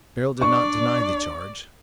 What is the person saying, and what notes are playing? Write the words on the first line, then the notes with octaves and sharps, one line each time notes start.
Beryl did not deny the charge.
D4 D5 C#6